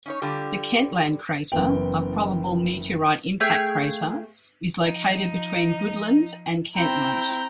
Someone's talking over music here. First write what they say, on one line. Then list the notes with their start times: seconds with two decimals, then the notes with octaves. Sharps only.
The Kentland crater, a probable meteorite impact crater, is located between Goodland and Kentland.
0.06 C#4 D#4 C#5
0.22 D3 G3 F4 G4
1.52 F#1 E3 B3 G5
3.40 A3 G#4 F5 G5
4.80 F3 D#4
6.76 C4 E4 G5 A#5 G6